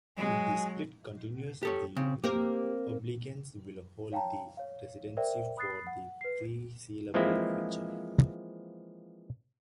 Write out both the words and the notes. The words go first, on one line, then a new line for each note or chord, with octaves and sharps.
If this split continues, the Republicans will hold the Presidency for the foreseeable future.
F#3 G#3 G#5
G4 A4 C#5
C#3 C4
A#3 C4 G4 A#4
C#5 F5 G5 A5 A#5
C#5 F5
A#4 C5 D5 E5 G5
B5 D#6 F#6 A6 C7
F#5
B4 C7
E3 F3 G#3 A#3 C4 E4